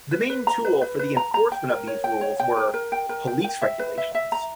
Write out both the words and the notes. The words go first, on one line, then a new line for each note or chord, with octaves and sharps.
The main tool for the enforcement of these rules were "police-regulations".
B4
B4
A#5
B4
B4
B4
A#5
A#5
G5
A#4
C#5
G5
C#5
G5
A#4
A#4
G5
A#4
G5
G5
E5
B4
E5
E5
A#5